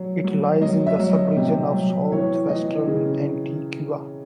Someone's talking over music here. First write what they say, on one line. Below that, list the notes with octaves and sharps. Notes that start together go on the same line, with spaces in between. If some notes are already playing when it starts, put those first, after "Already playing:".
It lies in the subregion of Southwestern Antioquia.
Already playing: F#3
F#3
F#3 D#5
E5
F#3
D#5
C3
F#3
E3 C#5
E3 D#5
C#3